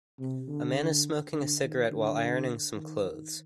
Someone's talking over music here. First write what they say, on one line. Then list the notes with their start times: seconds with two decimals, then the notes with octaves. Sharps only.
A man is smoking a cigarette while ironing some clothes.
0.19 C3
0.48 D3
1.33 D3
1.62 D#3
1.91 D3
2.75 D#3
3.04 D#3